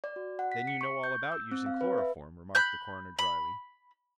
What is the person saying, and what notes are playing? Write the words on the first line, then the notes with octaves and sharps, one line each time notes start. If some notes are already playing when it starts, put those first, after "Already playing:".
"Then you know all about using chloroform?" remarked the coroner dryly.
D5
F#4
F#5
B6
C#7
C#6
G6
E6
C4
F5
B4
E5
B5 F#6 G6
B5